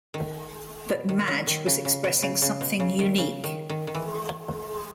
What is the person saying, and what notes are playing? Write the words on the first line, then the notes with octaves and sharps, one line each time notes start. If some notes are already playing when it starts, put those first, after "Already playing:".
But Madge was expressing something unique.
D#3
B2
D#3
F#3
D#3
C#3
C#3
B2
C#3
C#3
B2
C#3
D#3
C#3
D#3
D#3
D#3
E3